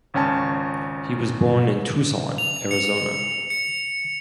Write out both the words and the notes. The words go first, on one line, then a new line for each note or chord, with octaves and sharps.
He was born in Tucson, Arizona.
G#1 C#2 C#4 G#5 A5
F7
C#7
C#7